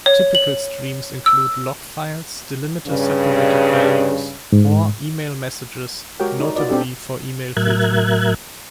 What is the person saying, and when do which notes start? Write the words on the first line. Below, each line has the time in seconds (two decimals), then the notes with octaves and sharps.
Typical streams include log files, delimiter-separated values, or email messages, notably for email filtering.
0.06 C#5
0.35 F#7
1.26 E6
2.87 G2 C#3
4.52 G#2
6.20 G#3 F#4 G4 A#4 C#5 G5
6.40 D#4 C#5 D5
6.55 F4 F#4 B4 D5 D#5
6.69 C4 D4 G4 A4
7.57 A2 F#3 A#4 E5 F#6 G#6